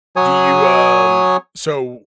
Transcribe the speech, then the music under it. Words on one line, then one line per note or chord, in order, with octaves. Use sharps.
Do you, um so,
F#3 C#5 G#5 D#6